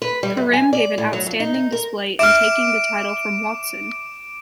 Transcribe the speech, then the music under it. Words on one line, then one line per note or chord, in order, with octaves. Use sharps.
Karim gave an outstanding display in taking the title from Watson.
B4
G3
F#2
G#5
D5
A2
F#3
F2
D#4
D#4
A#4
E5 D6 F6 D7 E7